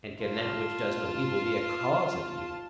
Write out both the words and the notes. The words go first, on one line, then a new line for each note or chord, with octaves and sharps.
And can that which does no evil be a cause of evil?
F4 A5